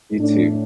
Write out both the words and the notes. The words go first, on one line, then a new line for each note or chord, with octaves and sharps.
You, too.
A2 A3 D4